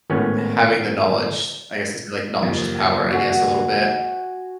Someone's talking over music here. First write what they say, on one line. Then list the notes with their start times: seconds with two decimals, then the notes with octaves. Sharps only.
having the knowledge, I guess is, like, knowledge is power, I guess, a little bit,
0.10 G#1 A2 B3 C#4
2.42 F#1 D#2 F3
3.11 F#4 F#5 G#5